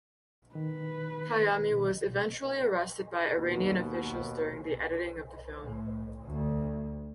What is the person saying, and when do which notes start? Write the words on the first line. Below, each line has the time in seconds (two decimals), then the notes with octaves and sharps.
Payami was eventually arrested by Iranian officials during the editing of the film.
0.55 D#3 B4
3.35 D#2 B2
5.63 A2
6.23 D2